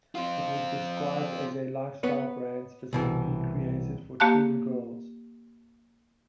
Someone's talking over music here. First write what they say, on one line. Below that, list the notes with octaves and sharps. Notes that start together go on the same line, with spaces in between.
It was described as "a lifestyle brand specifically created for tween girls".
C4 F4
B3 B4 C#5
C2 B2 E3
A#3 G4 F5 A5 F#6